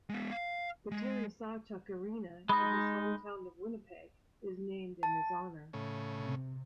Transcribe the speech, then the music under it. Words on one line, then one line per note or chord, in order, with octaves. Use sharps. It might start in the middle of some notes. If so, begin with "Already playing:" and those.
The Terry Sawchuk Arena in his hometown of Winnipeg is named in his honour.
G#3 B3
F5
G#3
G#3 D#4 B5 D#6
A5
A2 C#3
C3